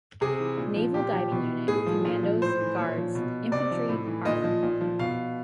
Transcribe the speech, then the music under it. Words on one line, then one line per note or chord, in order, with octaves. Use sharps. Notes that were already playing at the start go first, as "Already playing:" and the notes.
Naval Diving Unit, Commandos, Guards, Infantry, Armour.
C3 G#4
E3
A#2
F3
A#2 G4
F3
B2
A2 G#4
F3
A#2
F3
A2 C5
E3
A#2 C#5
F3
B2
C3 D5
F3
A2
E3
A#2 D#5
F3
A#2
F3
B2 F5